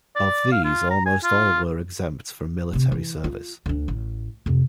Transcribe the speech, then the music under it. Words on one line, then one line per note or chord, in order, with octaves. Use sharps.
Of these almost all were exempt from military service.
D5
F5
F4
A#5
G#5
F4
C3 C4
E3
F4
D2 D4
A1
F2 C3